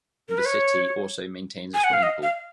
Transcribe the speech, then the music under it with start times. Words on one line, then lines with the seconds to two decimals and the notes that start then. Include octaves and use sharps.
The city also maintains a swimming pool.
0.29 A#4
0.38 B4
0.46 C#5
1.74 G#5
1.84 F#5
1.93 F5
2.03 D#5
2.23 F5